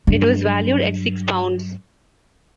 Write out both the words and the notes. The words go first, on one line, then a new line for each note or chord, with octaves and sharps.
It was valued at six pounds.
G2 F#3